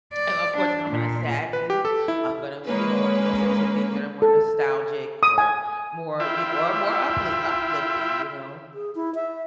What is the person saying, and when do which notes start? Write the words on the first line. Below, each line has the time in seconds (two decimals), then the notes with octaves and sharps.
um, of course, if I'm in a sad mood, I'm gonna w you know, wanna listen to things that are more nostalgic, or, more, you kn or more upli uplifting, you know?
0.13 D5
0.57 D4
0.91 A#2
1.53 B4
1.70 G4
1.85 A4
2.08 E4
2.65 G#3 A#3 C#4 B4
4.22 A4
5.23 D#6
5.38 G#5
6.20 E4 F4 E5 G5
8.74 G#4
8.95 E4
9.15 E5